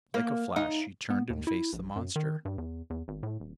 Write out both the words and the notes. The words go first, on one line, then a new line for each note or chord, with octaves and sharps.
Like a flash she turned and faced the monster.
A#3
D#4
B3
D#2
E4
A#1
F#2
D#3
G2
E2
E2
G#1
A2
D#1